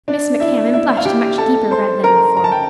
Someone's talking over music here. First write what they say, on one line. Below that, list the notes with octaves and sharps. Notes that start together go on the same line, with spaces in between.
Miss Macmahon blushed a much deeper red than before.
D4 D5
E4 E5
E4 E5
F5
G4 G5
A4 A5
C5 C6
A#4 A#5
A#5
A5
G5